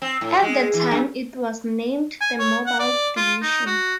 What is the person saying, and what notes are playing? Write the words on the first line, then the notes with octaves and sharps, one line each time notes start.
At the time, it was named The Mobile Division.
C4
A2
G#3
E3
F#2
G#5
C#5
F#5
D5
F4
D#4
F#4